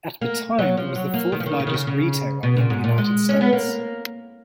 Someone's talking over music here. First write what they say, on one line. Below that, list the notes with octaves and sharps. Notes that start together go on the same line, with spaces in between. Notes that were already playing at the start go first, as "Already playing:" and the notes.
At the time it was the fourth largest retailer in the United States.
A#3
F#3
F3
F#3
A#3
D#3
F3
D#3
C#3
D#3
C#3
C#3
B2
A#2
G#2
A#2
G#3
C#4
B3
A#3